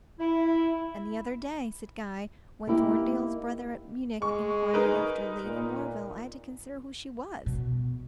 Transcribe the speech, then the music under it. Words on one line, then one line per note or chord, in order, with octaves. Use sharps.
'And the other day,' said Guy, 'when Thorndale's brother, at Munich, inquired after Lady Morville, I had to consider who she was.'
E4
A#3 D#4 E4 G4
G#3 C#6
D#4 A#4 B4
A#2
B2